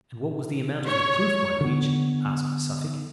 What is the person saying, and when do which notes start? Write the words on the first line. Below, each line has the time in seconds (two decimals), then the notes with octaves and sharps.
"And what was the amount of the proof, my liege?" asked Suffolk.
0.86 C#5
1.61 D3 B3